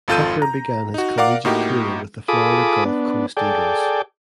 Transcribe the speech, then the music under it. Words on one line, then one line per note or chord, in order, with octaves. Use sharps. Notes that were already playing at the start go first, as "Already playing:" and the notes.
Tucker began his collegiate career with the Florida Gulf Coast Eagles.
G#1 F2 F4 A4 G6 D#7
A#5
D#4 F#4
A#4 D5 F5 F#5 D6
A2 A#3 D#4 F#4 G4
F4 G#4 A4 B5 D6 D#6
B3 D4
G#4 A4 D5 G5